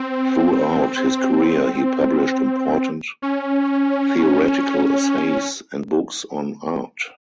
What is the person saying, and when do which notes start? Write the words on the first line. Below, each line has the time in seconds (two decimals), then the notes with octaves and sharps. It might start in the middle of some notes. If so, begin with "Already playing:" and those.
Throughout his career he published important theoretical essays and books on art.
Already playing: C4
3.22 C#4